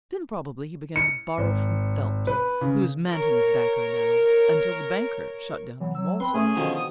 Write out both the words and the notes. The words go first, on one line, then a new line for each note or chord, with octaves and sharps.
Then probably he began to borrow from Phelps, who's Manton's backer now, until the banker shut down on him also.
C#7
G#1
B4
C#3
A#4 C#5
E3 F#3
F#3 E6
C4 B4 C6
A3 C#4 G#4 G#5
B2 D3 D#3 F3
D#6